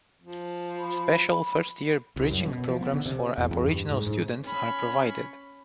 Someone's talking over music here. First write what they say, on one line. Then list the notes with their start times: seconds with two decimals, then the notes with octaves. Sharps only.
Special first-year bridging programs for Aboriginal students are provided.
0.22 F3
0.78 B5
2.16 C2
2.31 F#2
2.46 B2
2.69 F3
2.81 B3
2.93 D3
3.06 C3
3.38 E2
3.51 E2
3.65 G2
3.91 G#2
4.07 G#2
4.43 C#4 B5